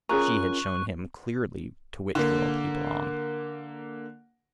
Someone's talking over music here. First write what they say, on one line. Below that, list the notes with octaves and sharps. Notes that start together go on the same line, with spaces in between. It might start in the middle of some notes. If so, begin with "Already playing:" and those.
She had shown him clearly to which world he belonged.
C#4 F4 G#4 A#4 A#5 C#6 F#6
D3 A#3